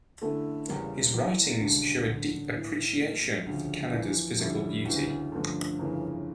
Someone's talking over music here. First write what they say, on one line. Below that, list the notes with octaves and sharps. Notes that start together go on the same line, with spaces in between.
His writings show a deep appreciation of Canada's physical beauty.
D3 A3 C#4 E4 A4
E2 C#3 G3 A#3
E2 E3 A#3
E1 D2 C#3 G3 D4
A1 G2 D3
A2 E3 A#3
A#2 A3 C#4
D2 C#3 F3
F2 E3 A#3
F2 D3 G3 C#4 E4
D2 C#3 E3
G2 D3 F3 A3 C#4
G1 F2 C#3 E3 A#3